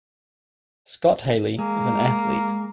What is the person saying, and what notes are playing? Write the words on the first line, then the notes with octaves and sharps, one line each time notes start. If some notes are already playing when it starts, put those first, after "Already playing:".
Scott Haley is an athlete.
G#3 A#3